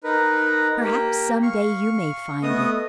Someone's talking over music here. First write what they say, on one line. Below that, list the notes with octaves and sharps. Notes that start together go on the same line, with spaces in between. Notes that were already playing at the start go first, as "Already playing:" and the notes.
Perhaps some day you may find it.
D#4 A#4 B4
A#3 G4
F5 C#6
A3 B3 D#5 D#6